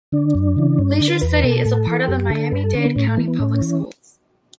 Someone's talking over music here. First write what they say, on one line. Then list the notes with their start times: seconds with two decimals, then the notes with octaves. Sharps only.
Leisure City is a part of the Miami-Dade County Public Schools.
0.12 D3 D4
0.35 F#2
0.57 C#3 E3
0.79 G2 C#4
0.92 D4
1.01 D3
1.08 B4
1.21 E2 B4
1.44 B2 A4
1.65 A2
1.87 E3
2.08 F#2 G4
2.30 D3 A4
2.52 G2 B4
2.64 A4
2.74 D3 C#4
2.85 B3
2.96 A2 C#4
3.07 A3
3.17 E3 B3
3.28 B3
3.39 A2 C#4
3.61 E3